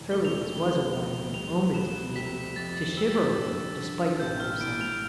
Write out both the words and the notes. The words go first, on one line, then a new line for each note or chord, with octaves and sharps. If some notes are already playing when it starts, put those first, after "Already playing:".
Surely this was a warning, an omen to heed--to shiver over, despite the warm sun!
Already playing: F1 E3
A3 G7
F7
G7
F2 G7
D2 F7
G3 F7
B3 E7
C3 B6
F2 A6
G3 E6
D4
D3
A1 G6
F6
E3 D7
F7